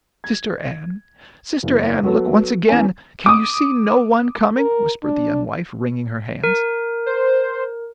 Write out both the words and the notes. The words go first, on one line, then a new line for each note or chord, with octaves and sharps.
"Sister Anne, Sister Anne, look once again, can you see no one coming?" whispered the young wife wringing her hands.
G#6
F#1 E2
F#3 B3 A4
E2 C#4 C#5 G#5
D6 D#6
A#4
D4
A#4
C5